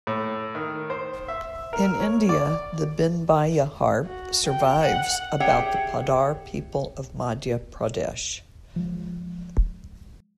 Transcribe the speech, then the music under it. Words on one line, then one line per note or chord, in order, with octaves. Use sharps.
In India, the "bin-baia" harp survives about the Padhar people of Madhya Pradesh.
A2
D#3
C5
E5
A#4
C#5
D5
F#4
G5
F#5
G4 G#4 C#5 E5 F#5 G5
F3 G#3